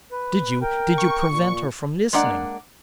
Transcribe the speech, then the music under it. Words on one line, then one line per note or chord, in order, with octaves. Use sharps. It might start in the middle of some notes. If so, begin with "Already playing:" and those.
Did you--did you prevent her from listening?'
B4
A#4 G5
C#6
A#2
G#3 A#3 D4 D5 F#5